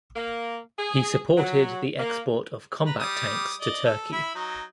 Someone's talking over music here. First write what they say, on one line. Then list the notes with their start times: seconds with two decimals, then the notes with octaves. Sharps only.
He supported the export of combat tanks to Turkey.
0.16 A#3
0.78 G#4
1.37 F#3
1.99 A#3
2.86 B4 A#5
3.00 G3 D6 D#6
3.61 D5 D#5
3.85 A4
4.13 E4 B5
4.35 F#3 D#4